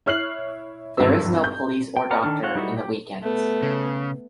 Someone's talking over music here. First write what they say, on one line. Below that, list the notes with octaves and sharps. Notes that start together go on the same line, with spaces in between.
There is no police or doctor in the weekends.
E4 C#5 F6 F#6 C7 F#7
G#1 G2 F#4 E6
G6
G5
B4 D5 F#5 A#5 F6
D#3 G3 D4 A4 F6
C4 F4 C#5 F#5
G3 D#4 E4 F#4
G4
A3 B3
C#3